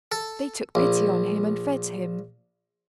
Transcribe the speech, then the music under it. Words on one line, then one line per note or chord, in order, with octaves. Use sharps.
They took pity on him and fed him.
A4
A#1